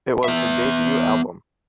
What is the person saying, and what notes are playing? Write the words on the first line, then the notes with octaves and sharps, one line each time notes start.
It was her debut album.
B3 E5